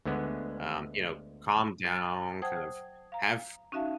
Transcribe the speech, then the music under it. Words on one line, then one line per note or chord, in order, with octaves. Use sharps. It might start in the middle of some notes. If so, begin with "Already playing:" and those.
um, you know, calm down, kind of have
D2 D3 G#3 B3
F#3
C5 F#5 G5 A5 D#6 G#6
F5 A#5
C#4 D#4 F#4 E5 F5 A5